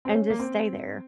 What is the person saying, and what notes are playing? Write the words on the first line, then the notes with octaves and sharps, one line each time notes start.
and just stay there.
C4
C#4
A#3
C4